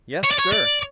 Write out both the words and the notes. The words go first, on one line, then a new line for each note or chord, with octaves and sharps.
"Yes, sir."
C#5
D5
C#5
D5